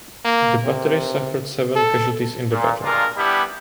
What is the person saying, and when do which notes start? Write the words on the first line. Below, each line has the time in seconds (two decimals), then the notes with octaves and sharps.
The battery suffered seven casualties in the battle.
0.25 A#3
0.65 C3
1.76 A4
2.50 A#2
2.83 G2 G#3 A#3 D4 F4 A#4
3.17 G3 B3 D4 E4 G4